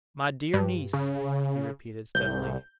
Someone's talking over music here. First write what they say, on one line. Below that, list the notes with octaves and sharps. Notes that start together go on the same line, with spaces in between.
My dear niece,' he repeated steadily.
G2
C#3
C2 G6